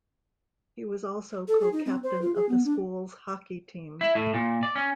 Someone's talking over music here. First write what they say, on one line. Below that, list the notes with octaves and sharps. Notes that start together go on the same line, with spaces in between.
He was also co-captain of the school's hockey team.
A4
G#4
D#4
C4
C5
F4
G#4
B3
D4
E4
A2
A#2
D5
C#4